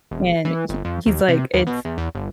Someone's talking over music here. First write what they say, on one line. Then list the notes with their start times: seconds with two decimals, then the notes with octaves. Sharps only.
and he he's, like, "It's"
0.11 E1
0.45 E3
0.69 G1
0.85 F2
1.06 D#2
1.28 C3
1.54 D#2
1.67 B2
1.85 E2
1.98 E2
2.15 G1